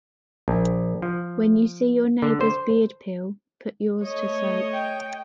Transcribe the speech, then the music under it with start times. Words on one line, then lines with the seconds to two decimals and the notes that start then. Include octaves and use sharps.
When you see your neighbor’s beard peel, put yours to soak.
0.48 A#1
1.02 F3
2.22 D3
2.41 C5
4.03 A3 C#5 D#5
4.73 G5